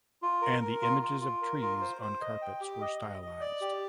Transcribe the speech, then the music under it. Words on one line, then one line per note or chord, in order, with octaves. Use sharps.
And the images of trees on carpets were stylized.
F4
A#4
A#4
F4
F4
F4
A#4
F4
C5
C5
D#5
G5
G4
D#5
D#5
D#5
D5
G4